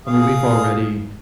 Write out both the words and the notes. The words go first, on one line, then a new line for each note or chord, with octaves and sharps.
I mean, we've already
G#4 F5 D#6